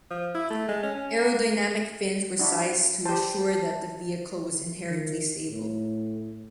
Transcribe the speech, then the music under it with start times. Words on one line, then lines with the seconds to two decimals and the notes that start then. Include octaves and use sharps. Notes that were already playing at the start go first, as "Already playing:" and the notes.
Aerodynamic fins were sized to assure that the vehicle was inherently stable.
0.10 F3
0.35 E4
0.50 A3
0.69 G#3
0.83 C#4
0.95 C#4
1.18 A#3
2.39 D4 E4 F#4
3.05 G4 C5 A5
4.90 D#3
5.51 A2